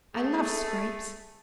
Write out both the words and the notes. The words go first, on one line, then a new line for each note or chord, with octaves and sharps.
I love scrapes.
A3 G#4